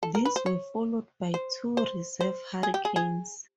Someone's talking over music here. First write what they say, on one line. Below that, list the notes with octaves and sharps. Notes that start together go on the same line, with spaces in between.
These were followed by two reserve Hurricanes.
A4
A#4
B4
C5
C#5
C5
C5
C5
G#4
G4
G#4
G#4